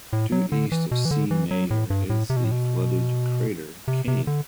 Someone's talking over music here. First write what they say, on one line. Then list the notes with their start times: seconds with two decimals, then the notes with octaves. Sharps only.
Due east of C. Mayer is the flooded crater Kane.
0.13 A2
0.32 F#3
0.52 D3
0.72 E3
0.91 B2
1.05 E3
1.11 D3
1.31 E3
1.51 F#3
1.71 A2
1.90 G2
2.10 A2
2.30 C3
2.37 B2
2.44 A2
2.51 B2
3.88 C3
4.08 C3
4.27 D3